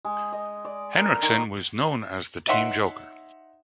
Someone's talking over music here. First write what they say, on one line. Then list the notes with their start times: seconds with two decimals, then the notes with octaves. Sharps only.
Henriksen was known as the team joker.
0.05 G#3
0.32 D#5
0.65 D5
0.95 A#4
1.09 A4
1.22 D#3
2.47 D#4 C#5 E5 F#5 C6